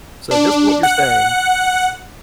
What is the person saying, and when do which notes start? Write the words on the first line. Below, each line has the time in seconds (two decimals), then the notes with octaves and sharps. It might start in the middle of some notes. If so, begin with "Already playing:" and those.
So just what you're saying
0.31 D4
0.83 F#5